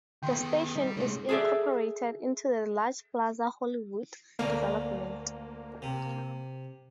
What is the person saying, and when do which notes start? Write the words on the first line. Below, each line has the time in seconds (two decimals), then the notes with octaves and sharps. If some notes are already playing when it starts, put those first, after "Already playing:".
The station is incorporated into the large Plaza Hollywood development.
0.23 D#3 B3 G5 C6
0.76 G3 D#4
0.96 A2 C3 G#3 C4 C#4
1.29 G#4 A4 C5 D5 E5
4.39 D2 A#2 A3 A#3
5.82 C3